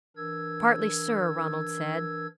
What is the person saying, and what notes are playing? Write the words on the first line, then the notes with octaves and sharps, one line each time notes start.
"Partly, sir," Ronald said.
E3 D4 A#4 E6 G#6